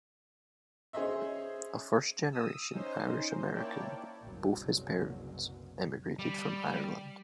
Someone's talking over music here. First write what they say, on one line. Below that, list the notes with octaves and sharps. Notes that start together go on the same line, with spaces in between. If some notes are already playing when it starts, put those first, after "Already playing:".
A first-generation Irish-American, both his parents emigrated from Ireland.
C#4 G#4 C5 D#5 E5
D#6 E6
C#4 D#4 C5
A#3 E4 C#5 D5 G5 A5
F#1 C2 F#2 B2 F#3
G3